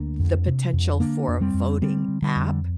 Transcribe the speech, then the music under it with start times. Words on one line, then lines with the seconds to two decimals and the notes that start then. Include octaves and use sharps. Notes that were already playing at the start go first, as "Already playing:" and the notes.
the potential for a voting app,
Already playing: D2 A#3 D4
0.20 F2
0.47 C3
0.73 F2
1.00 D3 A#3 D4
1.28 F2
1.41 G3 C4
1.54 F2
1.81 D3 G3 C4
2.08 D3
2.22 D3 G3
2.36 F2